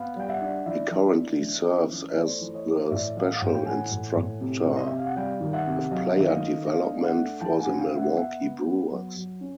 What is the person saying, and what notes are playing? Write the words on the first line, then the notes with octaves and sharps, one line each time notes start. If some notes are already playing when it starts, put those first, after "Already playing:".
He currently serves as the special instructor of player development for the Milwaukee Brewers.
Already playing: B3 F5
G3 G5
E5 F#5
D4
E3 D5 E5
E3
D4
E3
C#4
E3
D#5
A3 C5 D5
E3
C#5 D#5
E3
A2 D5 E5
E3 D#5 F5
F#5
A2 F5 G5
G5
E3 F#5 G#5
A2
A2
C3
C3
D#5
C3 E5
F5
F#5
G3 F5 G5
D#3
E5 F#5
C3
F#3 D#5 F5
D#3 E5
D#5 F5
A3
D4 D#5 F5
D4
E5 F#5
A3
E3 G5 A5
F#5 G#5
C#3
F5 G5
B3
E5 F#5
B3 E5 F#5
B3
B3
F#3
F#3
C#4